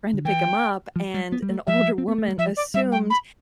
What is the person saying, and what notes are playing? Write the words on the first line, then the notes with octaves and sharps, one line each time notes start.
friend to pick him up and an older woman assumed
D3
E3 G5
F3
G3
B3
G3
A3
F3 E5
C4
B3
A3
G3
F3 E5
D5
G3 E5
G5
B5